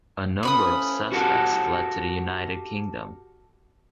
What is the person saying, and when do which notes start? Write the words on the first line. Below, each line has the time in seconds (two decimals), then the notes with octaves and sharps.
A number of suspects fled to the United Kingdom.
0.43 A2 F3 C#4 B4 B5 D#6
1.12 F#4 G4 A4 A#4 F#5